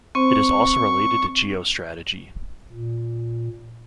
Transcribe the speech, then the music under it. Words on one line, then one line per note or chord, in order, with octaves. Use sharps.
It is also related to geostrategy.
C4 C5 C#6
A#2